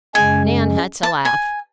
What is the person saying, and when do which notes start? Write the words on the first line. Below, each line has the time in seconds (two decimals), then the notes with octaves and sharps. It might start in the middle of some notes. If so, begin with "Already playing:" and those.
Nan had to laugh.
0.14 F#2 C#3 G#3 C#4 G#5
1.03 A5
1.25 G#5